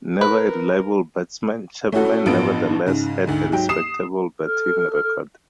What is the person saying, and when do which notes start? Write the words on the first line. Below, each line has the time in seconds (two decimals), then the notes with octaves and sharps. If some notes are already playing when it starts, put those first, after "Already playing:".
Never a reliable batsman, Chapman nevertheless had a respectable batting record.
0.21 A#4 B4
1.92 A3 C#4 E4 F#4 A4
2.26 A1 G2 F3 B3 D7
2.86 G#2 C#3
3.27 D2 G#2
3.52 G#2 F#3 G5
3.69 D#6 C7 E7
4.46 A4 F6